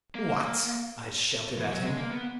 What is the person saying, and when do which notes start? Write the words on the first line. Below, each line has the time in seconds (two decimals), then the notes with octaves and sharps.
"What!" I shouted at him.
0.15 A#3
1.59 E3
1.72 F#3
1.85 G#3
1.98 A#3
2.11 B3